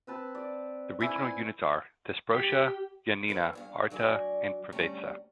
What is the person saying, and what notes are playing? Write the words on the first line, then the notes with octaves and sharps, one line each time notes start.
The regional units are: Thesprotia, Ioannina, Arta and Preveza.
C4 B4 A5
D5
E4 G#5 D6
G4
A4 B4 C5
E2 G2 F5
D2 F#3 D5 G#5
D2 G3 A3 C#4 G4 A#5